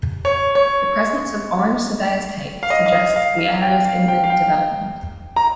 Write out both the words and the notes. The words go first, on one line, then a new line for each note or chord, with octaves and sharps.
The presence of orange surveyor's tape suggests the area's imminent development.
C#5
C#5
F5
D#5
F5
D#5
F5
F5
G5
F5
G5
F5
G5
A#5